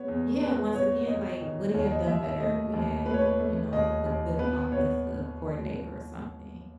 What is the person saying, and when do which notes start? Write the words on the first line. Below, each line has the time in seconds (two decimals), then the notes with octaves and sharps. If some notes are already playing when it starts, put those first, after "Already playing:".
Yeah, once again, like, would he have done better if we had, you know, a a good offensive coordinator or something?
Already playing: B3 C#5
0.08 E2
0.41 E2 B4
0.74 B3 C#5
1.07 E2 D#5
1.41 D#3
1.73 D#2 C#5
1.91 D#5
2.07 D#2 E5
2.24 E5
2.40 A3 D#5
2.73 D#2
3.06 A3 B4
3.14 C#5
3.21 B4
3.40 A3
3.73 D#2 D#5
4.06 D#2
4.39 B3 B4
4.72 B3 C#5